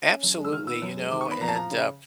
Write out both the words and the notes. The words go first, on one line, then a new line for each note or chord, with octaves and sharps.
Absolutely, you know, and, uh,
C#4
F#2
G#3
E6
D#3 F6
B3 E6
F#2
G#3
D#3 D6
C#6
B3 B5
F2 A#5
A5
F3 A#5
C#3